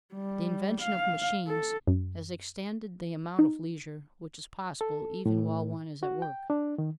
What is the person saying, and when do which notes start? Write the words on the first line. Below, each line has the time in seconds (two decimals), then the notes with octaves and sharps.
The invention of machines has extended the amount of leisure which is possible even while one is at work.
0.13 G3
0.83 F5
1.47 A4
1.87 F#2
3.39 D#4
4.81 A4
5.26 A2
6.03 F#4
6.22 G5
6.50 D4
6.78 D#3